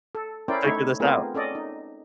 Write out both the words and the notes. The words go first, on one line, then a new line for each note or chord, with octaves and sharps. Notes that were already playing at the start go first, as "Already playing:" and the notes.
figure this out.
A4
C#4 E4 A#4 C5 D5 G5
A3 D#4 E4 C#5
A3 B3 C4 F4 G#4 A#4
C#4 A4 D5 D#5
D#4